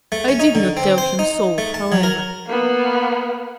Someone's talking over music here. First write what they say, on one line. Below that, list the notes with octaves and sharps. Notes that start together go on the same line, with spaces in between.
I did not tell him so however.
A3
C#4
D#4
D3
C4
C5
D#4
A3
A5
F#3
A#4
A#3 B3